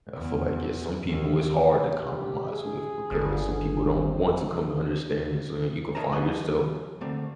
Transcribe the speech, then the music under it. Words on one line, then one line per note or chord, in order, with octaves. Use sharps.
I feel like, yeah, some people, it's hard to compromise with because some people don't want to come to understanding. So, then you could find yourself
E2
D#2
G4
G#4
G1
C4
A#4 C#5 D#5 E5 A5 A#5
F3 G3 B3 G#4 C#5 D#5
D3 A3 A#3 C4